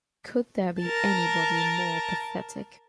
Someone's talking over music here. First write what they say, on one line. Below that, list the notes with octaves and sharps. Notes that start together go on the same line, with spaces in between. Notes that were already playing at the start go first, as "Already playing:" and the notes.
Could there be anybody more pathetic?
A#4 A5